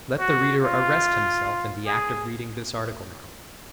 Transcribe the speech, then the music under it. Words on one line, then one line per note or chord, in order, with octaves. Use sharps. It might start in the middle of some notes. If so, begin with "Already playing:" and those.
Let the reader arrest himself in the act of reading this article now.
F#4
F4
G#4